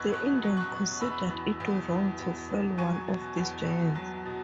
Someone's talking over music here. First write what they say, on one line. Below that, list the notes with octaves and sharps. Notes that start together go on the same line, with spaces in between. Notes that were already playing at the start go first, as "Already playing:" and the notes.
The Indians considered it wrong to fell one of these giants.
Already playing: E2 B2 B5 C#6 E6 F#6 G#6
E2 C#6 F#6
F#3
C#6 F#6
B2
E2 B5 E6
E3
E2
E3
E2
E3
F#3 G#5 C#6
B2
E2
E2
F#3
B2